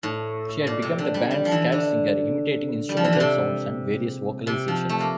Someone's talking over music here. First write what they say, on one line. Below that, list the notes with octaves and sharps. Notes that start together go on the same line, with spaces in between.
She had become the band's scat singer, imitating instrumental sounds and various vocalizations.
A2
A#2
C3
D3
G3
G3
F3
E3
D3
G3
F3
E3
D3
C3
C3
F3
A3
A#3